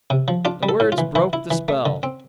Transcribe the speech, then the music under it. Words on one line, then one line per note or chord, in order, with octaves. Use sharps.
The words broke the spell.
C3
F3
D4 F4
G3
A4
A2
F4
E3
E3 E4
E4
E3
A3
D3
C4